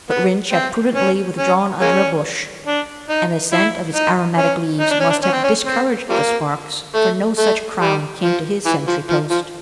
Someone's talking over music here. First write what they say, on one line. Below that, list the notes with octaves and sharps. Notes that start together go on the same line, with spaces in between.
But Rynch had prudently withdrawn under a bush, and the scent of its aromatic leaves must have discouraged the sparks, for no such crown came to his sentry post.
B3
C4
C#4
C#4
G#3 A#3 C#4
D4
D#4
E4
D#4
C#4
D#4
D4
C#4
D4
C#4
C4
C#4
C4
F3 G3 A#3
A3
A3
G3
F3
E3
F3
F3
F3